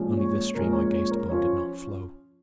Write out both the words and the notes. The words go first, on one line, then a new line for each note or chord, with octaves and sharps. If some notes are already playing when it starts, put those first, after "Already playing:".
Only this stream I gazed upon did not flow.
Already playing: A#2 F3 G#3 C#4
C#5
A#2 F3 G#3 C#4 A#4
C#5
C#5
A#4
F3 C#4 F4 C#5